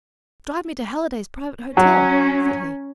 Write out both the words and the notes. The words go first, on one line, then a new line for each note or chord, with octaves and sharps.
'Drive me to Halliday's Private Hotel,' said he.
F#3 C#4